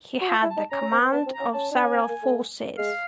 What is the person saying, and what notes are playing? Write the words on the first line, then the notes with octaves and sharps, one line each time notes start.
He had the command of several forces.
F#4
F4 A5
E4
A5
D#4
C#4 A#5
C#4
C4
B3
B3 A5
C4
A#5
C#4
C#4 A5
D4 G#5
C#4
C4
A#3
A3
G#3 F5